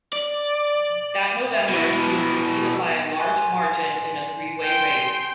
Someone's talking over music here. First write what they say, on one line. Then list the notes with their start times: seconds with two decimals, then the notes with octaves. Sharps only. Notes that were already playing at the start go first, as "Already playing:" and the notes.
That November, he was defeated by a large margin in a three-way race.
0.13 D5
1.69 B2 E3
3.19 G#5 C6 F#6
4.61 G5 C6